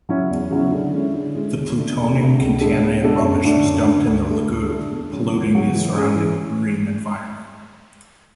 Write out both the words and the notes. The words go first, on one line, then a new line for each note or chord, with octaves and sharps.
The plutonium-contaminated rubbish was dumped in the lagoon, polluting the surrounding marine environment.
C#3 F#3 C#4 E4
E2
C#3 F#3 C#4 E4
D3
G#3 C#4 E4
D3
G#3 C#4 E4
E2
D3 A3
E2
D3 A3
C#2
B2 G#3 D4 A4
C#2
B2 G#3 D4 A4
F#2
D3 A3 D4
F#2
D3 A3 D4
D2
D3 A3 D4 A4
D2
D3 A3 D4 A4
E2
C#3 F#3 C#4
E2
C#3 F#3 C#4
E3
G#3 C#4 G#4
E3